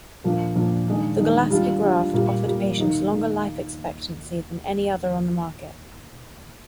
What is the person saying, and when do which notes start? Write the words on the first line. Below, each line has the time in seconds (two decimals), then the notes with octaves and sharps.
The Golaski graft offered patients longer life expectancy than any other on the market.
0.24 A#2 F3 A#3 D4
0.56 A#2 F3 A#3 D4
0.88 D#3 G#3 D4
1.19 D#3 G#3 D4
1.50 G3 D4 F4
1.82 G3 D4 F4
2.14 A#2 G3 A#3
2.46 A#2 G3 A#3
2.77 D#3 A#3 D#4
3.10 D#3 A#3 D#4